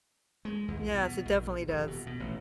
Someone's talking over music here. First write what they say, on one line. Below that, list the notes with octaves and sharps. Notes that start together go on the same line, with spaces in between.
Yes, it definitely does.
G#3
D#2
C2
B2
A#1
D#1
B2
B2
A1